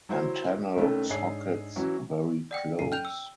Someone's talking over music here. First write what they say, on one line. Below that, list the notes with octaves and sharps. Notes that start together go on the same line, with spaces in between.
Antennal sockets very close.
F#3 E4 C5
C2 D#3 A3 C#4 D#4 A4
G#2 D4 C#5 E5 G#5 C7
E3 F#3 C#4 E4 F#4
D5 F#5 G5
F#2 A4 C7 D#7
G5 F6 G6 F7
E6